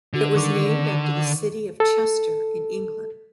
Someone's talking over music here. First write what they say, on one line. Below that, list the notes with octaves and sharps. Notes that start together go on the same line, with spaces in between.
It was named after the City of Chester in England.
D3
D#3 C#6 D6
A4